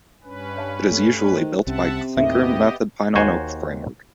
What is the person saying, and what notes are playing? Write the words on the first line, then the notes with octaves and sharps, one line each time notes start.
It is usually built by clinker method pine on oak framework.
G2 C#4 B4
C#5 F5 A5
A3
D#3 G4 C5
C2 C3 C#4 E5 F#5 A5
D#2 A2 D#3 B3 G4 D#5 E5
D#2 F#4 C5 C#5 G#5